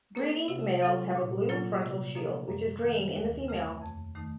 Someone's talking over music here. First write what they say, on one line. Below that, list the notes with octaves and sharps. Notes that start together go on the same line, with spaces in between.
Breeding males have a blue frontal shield, which is green in the female.
A#3 C#4 A4
C3
F#3 C4 F4 A4
A#2
F#3 A#3 F4 A4
C3
F3 A#3 D#4 A4
F#2
D#3 A#3
D#2
C#3 A3 C4
F2
D#3 A3 D#4